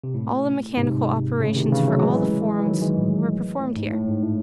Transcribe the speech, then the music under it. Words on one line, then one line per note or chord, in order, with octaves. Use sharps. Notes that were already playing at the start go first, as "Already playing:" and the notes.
All the mechanical operations for all the farms were performed here.
C3
A2
G#2 C3
A2 C#3
C3 D#3
C#3 E3
F#3 A3
F#3
E3 G#3
E3
D#3 F#3
E3 G#3
A2
A2
G#2
A2
G#2
A2